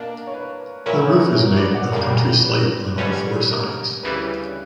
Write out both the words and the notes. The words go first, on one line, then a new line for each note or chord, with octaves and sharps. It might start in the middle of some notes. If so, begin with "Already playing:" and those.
The roof is made of country slate on all four sides.
Already playing: B2 A#3 D4 A#4
C#5
B4
A#2 F#3 C#4 E4 A#4 C#5
C#5
B4
A#4 C#5
B4 D5
D5 F#5
F#2 C#3 G3 A#3 A#4 C#5
B4
G2 D3 G3 C#4 B4
A#4
D2 C#3 E3 G3 B4